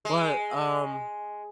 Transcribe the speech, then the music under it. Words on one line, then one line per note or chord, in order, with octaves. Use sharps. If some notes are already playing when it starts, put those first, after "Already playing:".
But, um
G#3